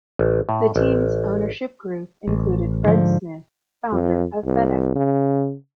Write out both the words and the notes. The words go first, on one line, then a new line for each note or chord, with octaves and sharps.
The team's ownership group included Fred Smith, founder of FedEx.
A1
A2
A1
A1
G#2 D3 F3
F2
C2
C#3